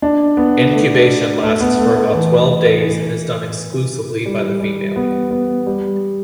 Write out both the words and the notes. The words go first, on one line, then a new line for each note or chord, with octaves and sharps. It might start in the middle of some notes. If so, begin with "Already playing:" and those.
Incubation lasts for about twelve days and is done exclusively by the female.
D4
B3
A3
A3
B3
A3
A3
E3
G3
G3
B3
B3
G3